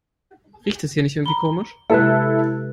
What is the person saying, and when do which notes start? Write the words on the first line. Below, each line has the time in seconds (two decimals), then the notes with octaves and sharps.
Riecht es hier nicht irgendwie komisch?
1.26 A#5 B5 G7
1.90 C3 G#3 A#3 E4 G4 A4 B4 F#6